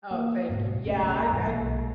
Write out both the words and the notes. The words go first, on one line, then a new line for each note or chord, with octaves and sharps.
Oh, thank you. Yeah. I I
A#3
D1 G#2 B2
F#1 B1 A3 C#4
G#3 A#3
E1 C2 G#2 E3
B1 A#2 G#3